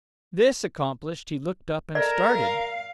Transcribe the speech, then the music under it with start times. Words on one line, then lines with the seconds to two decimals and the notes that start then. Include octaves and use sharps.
This accomplished, he looked up and started.
1.95 A4 A#4 D5
2.33 F5